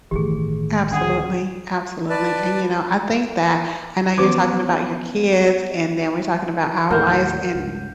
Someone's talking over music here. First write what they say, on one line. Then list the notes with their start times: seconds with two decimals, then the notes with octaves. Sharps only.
Absolutely, absolutely. And, you know, I think that I know you're talking about your kids, and then we're talking about our lives and
0.11 G1 A2 D#3 E3 G4 G#4
0.91 D2 C#4 D4 G#4 F#5
2.10 B4 D5 A5
4.18 E3 F3 B3 C#4 F#4 C#5 D6
6.91 D#2 A2 A#4 F#5 G6
7.55 C#2 G2